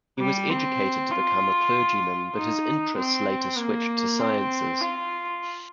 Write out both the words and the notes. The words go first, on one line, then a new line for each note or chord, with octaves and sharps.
He was educated to become a clergyman, but his interests later switched to sciences.
G3
C4
F4
D#4
C4
A#3
C4
F4